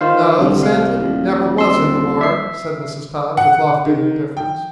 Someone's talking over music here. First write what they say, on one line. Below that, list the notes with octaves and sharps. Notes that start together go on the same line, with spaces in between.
"No, Santin never was in the war," said Mrs. Todd with lofty indifference.
D#3 F4 C5 F5
C2 D3 D#3
F5
D#1
C4 C6 E6
E5 C7
F#5
D#3
G5